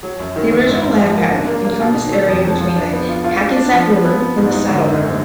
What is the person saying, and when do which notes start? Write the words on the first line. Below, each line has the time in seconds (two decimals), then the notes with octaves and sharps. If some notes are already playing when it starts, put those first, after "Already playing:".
The original land patent encompassed area between the Hackensack River and the Saddle River.
0.03 F#3
0.20 F#2
0.36 D#3
0.51 F#2
0.67 G#2
0.84 G#2
1.00 F3
1.16 A#3
1.32 D4
1.47 A#3
1.65 A#3
1.80 B2
1.97 D#3
2.12 F#3
2.28 F2
2.44 F2
2.60 F3
2.76 D4
2.93 B3
3.09 F4
3.24 F4
3.41 D4
3.56 D4
3.73 F3
3.89 B3
4.06 B3
4.21 B3
4.38 G#2
4.53 D#4
4.69 D3
4.86 F#2